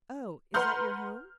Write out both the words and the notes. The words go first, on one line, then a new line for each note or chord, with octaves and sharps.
"Oh; is that your home?"
B4 F#5 A#5 C6 F6 G6